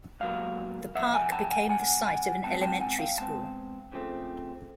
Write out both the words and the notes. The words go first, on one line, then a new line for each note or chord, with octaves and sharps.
The park became the site of an elementary school.
C#2 B2 F#3 A#3 F5
C2 C3 F3 E5 F#5
F#5 G#5
G5 A5
F#5 G#5
C2 C3 F#5 G#5
F#5 G#5
B2 G#3 C4 G5 A5
G5 A5
F#5 G#5
F5 G5
B2 G#3 C4 G5 A5
F2 C#3 F3 A3 C4